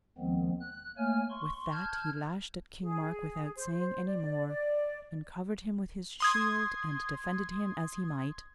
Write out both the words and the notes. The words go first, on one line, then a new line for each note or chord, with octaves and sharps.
With that he lashed at King Mark without saying any more, and covered him with his shield and defended him as he might.
D#2 D#3 F3 G#3 B3 C4
F#6
A3 A#3 C#5 G#5 F6
C6 C#6
A5 F6 G6 G#6
G#4
C5
D5
D5
C6 D#6 G#6